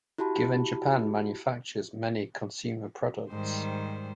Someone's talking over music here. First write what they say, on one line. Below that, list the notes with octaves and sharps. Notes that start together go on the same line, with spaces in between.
Given Japan manufactures many consumer products.
E4 F#4 G4 A5 B5
G#2 D#3 G3 C5